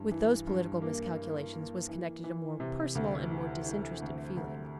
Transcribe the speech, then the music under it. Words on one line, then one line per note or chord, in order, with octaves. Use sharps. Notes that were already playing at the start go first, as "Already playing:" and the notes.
With those political miscalculations was connected a more personal and more disinterested feeling.
Already playing: G2 E3
E3
G2
A#3
A#3
A#3
E3
E3
C3
D2
E3
E3
D2
D2